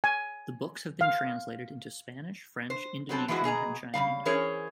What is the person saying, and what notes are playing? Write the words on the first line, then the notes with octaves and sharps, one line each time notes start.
The books have been translated into Spanish, French, Indonesian, and Chinese.
G#5
F5
C5
F#3 G3 C4 A4 A5
E3 F3 G#3 E4 F#4
B2 G#4 D#5 A#5
C#3 E3 G3 F5
E3 C#4 G#4 A#4 C5 C#5